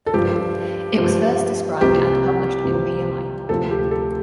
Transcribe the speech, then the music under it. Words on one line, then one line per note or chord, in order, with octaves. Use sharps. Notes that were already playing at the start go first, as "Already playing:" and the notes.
It was first described and published in Pl.
A4
G2 F3 G4
G2 F3
C2 C3 F3 G4
C2 C3 F3
D2 C3 F3 A4
G4
A4